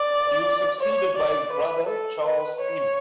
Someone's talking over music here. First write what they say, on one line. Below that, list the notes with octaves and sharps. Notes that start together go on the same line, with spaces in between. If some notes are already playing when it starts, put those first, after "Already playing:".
He was succeeded by his brother Charles Seymour.
Already playing: D5
C#5
D5
B4
A4
B4
C#5